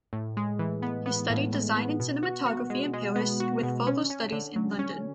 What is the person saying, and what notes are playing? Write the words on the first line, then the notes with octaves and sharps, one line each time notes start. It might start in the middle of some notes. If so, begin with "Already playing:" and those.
He studied design and cinematography in Paris, with further studies in London.
A2
G#3
E3
B3
B3
A2
A2
B3
B2
F#4
F#4
G#3
G#3
B3
F#4
B2
C#4
C#4
D3
F#3
C#4